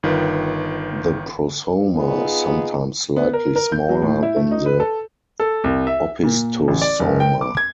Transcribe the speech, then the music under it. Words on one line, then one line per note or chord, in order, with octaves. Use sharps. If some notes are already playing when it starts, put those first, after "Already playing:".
The prosoma is sometimes slightly smaller than the opisthosoma.
G1 D#3 F4 B4
B3 D#4 F4 G#4
B3
A#4
A#4
G6
F#3
A2
E4
A3
D#4
B4
A4
A4
C2
E5
A#2
A1
D5
F#1
G5
D6
G#6